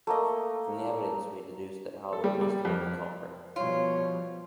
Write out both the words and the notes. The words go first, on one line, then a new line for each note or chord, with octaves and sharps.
From the evidence we deduced that Albert must have been the culprit.
A3 A#3 D#5
A4
G3
G3
F2
B2 F3 G3 F4 C#5